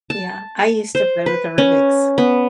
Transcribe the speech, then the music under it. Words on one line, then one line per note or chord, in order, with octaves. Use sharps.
Yeah. I used to play with the Rubik's
A5
C5
B4
C#4
B3